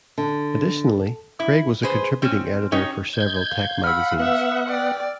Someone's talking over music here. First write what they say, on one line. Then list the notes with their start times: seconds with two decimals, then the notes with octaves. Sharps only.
Additionally, Craig was a contributing editor for several tech magazines.
0.18 D3
1.40 E4
1.83 G#4 B4 C5
2.22 C4 C#4
2.72 C#4 D#4 G4 C#5
3.14 D#5 G6 G#6
3.49 F5
3.84 F#5 B5 E6 F6
4.20 B3 E5 F#5
4.68 D5 G5